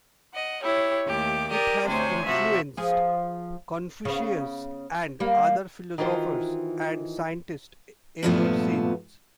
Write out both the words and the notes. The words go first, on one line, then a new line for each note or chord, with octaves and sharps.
It has influenced Confucians and other philosophers and scientists ever since.
D#5 F#5
E4 G4 C#5
D#2 A3 G4 D6
G4 A#4 D5 D#6
D2 C3 C5 C#5 G#5
C3 F3 F#4 E5
F3 G#4
C#3 B3
G3 A#3
D#3 E3 D#4 F4 F#4 C5
G2 A#2 F3 A3 B3